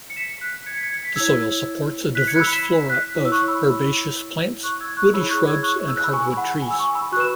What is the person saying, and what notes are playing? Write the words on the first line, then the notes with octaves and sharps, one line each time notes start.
The soil supports a diverse flora of herbaceous plants, woody shrubs and hardwood trees.
C#7
B6 E7
F#6 B6
G#6 C#7
B6
G#6 C#7
B6
E4 C#5 E6 G#6
F#6 B6
G#6 C#7
F#6
B5 E6
B6 E7
F#6 B6
E4 C#5
E6
C#6 F#6
B5 E6
C#6 F#6
E6 G#6
C#6 F#6
E4 G#4 C#5 B5 E6
C#6 F#6
E6 G#6
C#6 F#6
E6
F#6
B5 E6
G#5 C#6
F#5 B5
G#5
E6
G#5 C#6
B5 E6
F#4 C#6 F#6
B4 E7